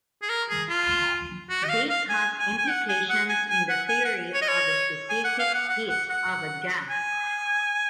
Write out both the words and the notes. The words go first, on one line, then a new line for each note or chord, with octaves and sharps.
This has implications in the theory of the specific heat of a gas.
G#4
A#4
G#4
F4
F#4
D#5
F5
F5
G#5
G#5
G#5
F#5
G#5
F#5
G#5
G#5
F#5
G#5
F#5
C#5
D#5
C#5
G#5
F#5
F5
F#5
F#5
F#5
F#5
G#5